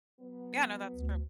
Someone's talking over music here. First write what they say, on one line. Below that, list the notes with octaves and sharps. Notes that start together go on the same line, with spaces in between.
Yeah. No, that's true.
F#3 B3
D2